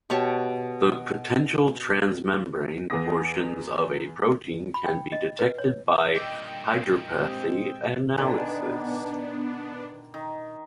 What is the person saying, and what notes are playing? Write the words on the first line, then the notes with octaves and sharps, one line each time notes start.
The potential transmembrane portions of a protein can be detected by hydropathy analysis.
B2 G4 C#5 A5
E2 B3 G#4 D6 D#6 A#6
B5
G5
D#5
B4
C#5
G2 A#2 D#5 G5 D6 E6 G6 A#6
G#3 C4 G4
D3 D#3 B3 D4 G#5
D#3